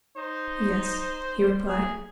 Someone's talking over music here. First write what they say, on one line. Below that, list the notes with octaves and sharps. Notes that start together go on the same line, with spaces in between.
"Yes," he replied.
D#4 C5
G#4